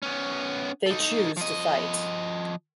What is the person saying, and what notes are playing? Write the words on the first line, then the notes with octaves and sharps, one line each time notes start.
They choose to fight.
B3 C#4
D#4 A4
F3 D#5